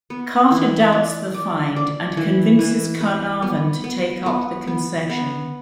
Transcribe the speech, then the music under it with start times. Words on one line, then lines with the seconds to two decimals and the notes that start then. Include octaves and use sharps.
Carter doubts the find and convinces Carnarvon to take up the concession.
0.10 B3
0.51 E3
0.92 D5
1.34 D5
1.76 D5
2.17 E3
2.59 E3
3.01 B4
3.42 B3
3.84 B3
4.26 B3
4.67 B3
5.10 B3